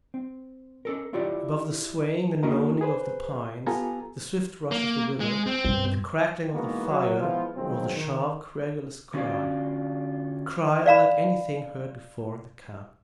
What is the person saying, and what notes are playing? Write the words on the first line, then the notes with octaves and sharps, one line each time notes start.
Above the swaying and moaning of the pines, the swift rush of the river, and the crackling of the fire rose a sharp, querulous cry,--a cry unlike anything heard before in the camp.
C4
C#4 A4 A#4
E4 F4 G4 C#5 D5
D3 A#3 F#4 A#4 D#5 A#5
G#4 B4 C5
B3 F4 G4 A4 G#5 A#5
A#3
G#3
C4
G2 B2
E3 G#3 A#3 B3 D#4 F#4
F#3
F3 G#3 B3 E4 F4
B2 D#3 F3 F#3 G#3 C4
D#3
D3 C#4 F4 F#4 D5 F5
D5 F5 A#5 B5